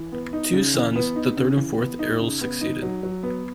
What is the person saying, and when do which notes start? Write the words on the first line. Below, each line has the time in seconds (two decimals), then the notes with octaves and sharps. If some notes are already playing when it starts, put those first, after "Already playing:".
Two sons, the third and fourth Earls succeeded.
Already playing: E3
0.12 B3
0.33 D#4
0.54 C#3
0.74 E3
0.96 B3
1.16 D#4
1.37 C#3
1.57 E3
1.78 B3
1.99 D#4
2.20 C#3
2.41 B3
2.61 D#4
2.82 F#3
3.03 F#3
3.23 B3